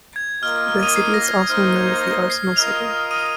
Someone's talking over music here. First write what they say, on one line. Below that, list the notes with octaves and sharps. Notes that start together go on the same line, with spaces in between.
The city is also known as "the Arsenal City".
G#6
A#3 F4 A#4 D#5 F6
F6
F6
D#6 D#7
C7
A#6
G#6
A#3 D#4 C5 F6
G#6
A#6
C7
F4 A#4 D#5 F6 F7
D#6 D#7